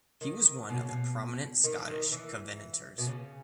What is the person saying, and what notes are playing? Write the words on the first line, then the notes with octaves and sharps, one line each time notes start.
He was one of the prominent Scottish Covenanters.
D#3
B2
C#3
B2
D#3
E3
D#3
E3
B2
C#3